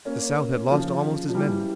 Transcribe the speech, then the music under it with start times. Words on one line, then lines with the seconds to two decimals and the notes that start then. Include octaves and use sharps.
The South had lost almost as many.
0.05 A#3 C#4
0.70 C#3 F3
1.29 F3
1.34 E3 G3